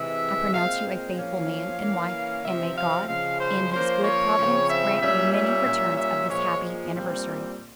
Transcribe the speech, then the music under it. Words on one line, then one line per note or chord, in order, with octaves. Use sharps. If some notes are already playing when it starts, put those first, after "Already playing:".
"I pronounce you a faithful man and wife: and may God, in his good providence, grant you many returns of this happy anniversary."
Already playing: C3 E3 G#3 E5
A#2 G#3 C4 F5
F3 A#3 C#4 F5
E3 A#3 C#4
C3 F3 C4 E5
F5
C#3 F3 G#3 F5
C5
F3 A#3 C#4 C5
C#5
C#3 F3 C4
E5
A#2 G3 C#4 E5
E5
A#2 G3 C#4
E5
A#2 F3 G#3 C#5
A#2 G3 C4